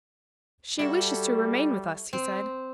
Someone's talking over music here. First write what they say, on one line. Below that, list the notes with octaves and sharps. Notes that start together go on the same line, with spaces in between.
"She wishes to remain with us," he said.
G3 E4 F#4 A4
C4